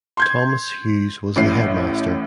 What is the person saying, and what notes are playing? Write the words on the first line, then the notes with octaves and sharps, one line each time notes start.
Thomas Hughes was the headmaster.
C6 G6 G#6
A1 A2 C7